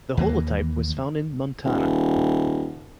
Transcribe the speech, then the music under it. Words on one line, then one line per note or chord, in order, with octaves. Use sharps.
The holotype was found in Montana.
D#2 E3 A#3
D#1